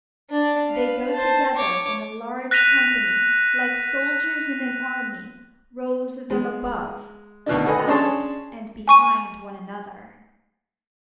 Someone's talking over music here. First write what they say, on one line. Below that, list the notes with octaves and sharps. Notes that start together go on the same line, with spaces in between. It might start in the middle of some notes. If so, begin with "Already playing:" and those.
They go together in a large company, like soldiers in an army, rows of them above, beside, and behind one another.
D4 D5
B4 F5
C5 A5
C#5 D6
F#6 A#6 B6 D#7 F7
G#3
D2 B2 D#3 D4
F#4 A4 B4 D#5 G#5
C#4 D4 G#4 C#5 A5 C6
G#5 C#6 D#7